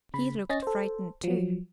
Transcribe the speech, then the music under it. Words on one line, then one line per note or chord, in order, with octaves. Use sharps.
"He looked frightened too."
C#3 B5
C#4 D#5 A6 A#6
A4 C5
F3 F#3